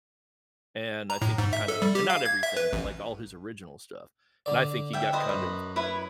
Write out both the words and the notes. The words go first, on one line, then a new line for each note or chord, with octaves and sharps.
and I think he kinda and not everything, but, like, all his original stuff, and I think he got kind of
A#5
A2
G#2
E5
A4
G3
G4
F5
G#6
E5
B4
A1
D3 D5
E5 G5
B4 C5 D#5
F#2
E4 B4 C#5